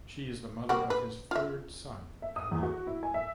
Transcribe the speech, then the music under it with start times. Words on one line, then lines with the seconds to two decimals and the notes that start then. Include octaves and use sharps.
She is the mother of his third son, Ali.
0.69 G3 A#3 F#4
0.90 B4
1.31 F4 E5
2.22 E5
2.36 D#6
2.51 E2
2.63 F#4
2.87 E4
3.03 G#5
3.14 E5